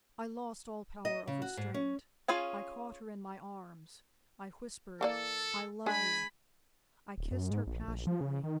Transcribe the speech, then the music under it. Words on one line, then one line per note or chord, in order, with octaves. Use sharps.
I lost all power of restraint; I caught her in my arms; I whispered, "I love you!" I kissed her passionately.
D#5
C#3
F#4
G#2
C#4
C#4 F4 G#4 F5 G#5
E3 A#3 A4 D5
G#3 D4 G#4 G#5 B5
D1
F#2
G#2
A#1
A#1
F3
C#3
D#3